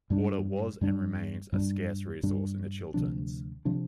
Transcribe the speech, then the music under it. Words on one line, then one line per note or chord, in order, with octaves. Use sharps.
Water was and remains a scarce resource in the Chilterns.
G2 G3 D4
G2 G3 D4
G2 G3 D4
G2 G3 D4
D2 C3 F3 D4
C3 F3 D4